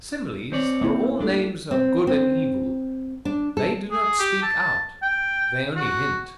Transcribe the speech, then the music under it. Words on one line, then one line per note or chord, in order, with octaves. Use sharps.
Similes, are all names of good and evil; they do not speak out, they only hint.
C4 C#5 D5
A#3 E4
A3 D4 A4
C4
C4
D4
A4
G#4
G4
A5
G5
F#4